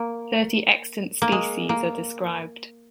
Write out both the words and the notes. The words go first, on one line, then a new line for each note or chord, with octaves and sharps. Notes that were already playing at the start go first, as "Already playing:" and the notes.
Thirty extant species are described.
Already playing: A#3
A#3
G#3
A#3